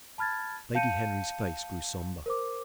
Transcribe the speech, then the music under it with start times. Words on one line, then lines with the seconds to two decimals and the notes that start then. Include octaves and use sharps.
Lady Henry's face grew sombre.
0.18 A5 B5 F6 G#6 A6
0.75 F5 A5 G6 C#7 D#7
2.26 A#4 C5 D6